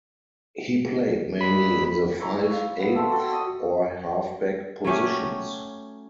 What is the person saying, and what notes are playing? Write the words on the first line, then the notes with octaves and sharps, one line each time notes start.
He played mainly in the five-eighth or halfback positions.
B5
E4 C#5 A#5
F5
B3 B4
A4 E5 G5 C6
F#4 A4
D#6
F#3 A3 C#4 G4